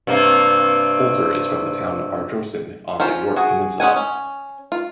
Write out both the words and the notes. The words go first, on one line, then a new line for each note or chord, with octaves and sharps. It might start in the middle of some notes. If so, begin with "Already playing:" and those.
Poulter is from the town Ardrossan on the Yorke Peninsula.
G2 C3 A#3
C#4 F4 C5
F#4 G#4
G#3 C#4 F#5 G#5
C#4
F4